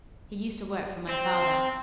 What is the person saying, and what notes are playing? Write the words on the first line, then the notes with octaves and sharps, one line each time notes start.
He used to work for my father.
C4